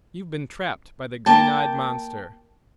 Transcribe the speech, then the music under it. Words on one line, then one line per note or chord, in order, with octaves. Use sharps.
You've been trapped by the green-eyed monster.
A#3 G5 A5